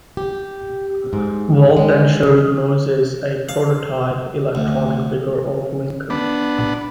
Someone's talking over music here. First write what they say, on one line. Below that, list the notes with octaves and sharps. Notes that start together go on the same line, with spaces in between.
Walt then showed Moses a prototype electronic figure of Lincoln.
G4
G#2
G#3
F5
D2
B3 D4